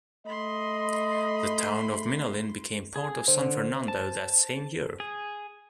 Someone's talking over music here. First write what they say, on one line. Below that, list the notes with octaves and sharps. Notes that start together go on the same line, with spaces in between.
The town of Minalin became part of San Fernando that same year.
A3 D#5 B5 C6
G#4
D3 C5
A5
G#4